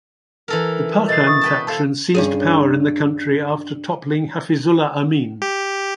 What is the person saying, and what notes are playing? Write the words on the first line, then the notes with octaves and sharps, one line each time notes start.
The Parcham faction seized power in the country after toppling Hafizullah Amin.
E3 A4 A#4
B2 D#5 A6 C7
C#6 D#6
B4 G5 A5
A4 C5 F5 A5
G2 C#4 G#4
G4